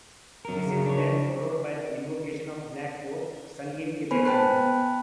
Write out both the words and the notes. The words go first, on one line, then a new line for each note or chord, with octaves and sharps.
This is then followed by the "Invocation of Black Coat", sung in Tibetan.
F#3 A#4
C#3
D4 C#5
B3 B4 C5 G#5 B5
G5 A5 B5 F#6